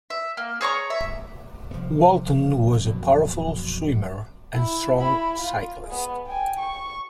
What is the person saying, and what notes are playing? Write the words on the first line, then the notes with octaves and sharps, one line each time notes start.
Walton was a powerful swimmer and strong cyclist.
E5
A#3
G#4 C#5 A#5 C#6
E5
C2 F3
A#1 F#2 B2
E4
E4 B5
F4
G#3 B3
G5 G#5
C#6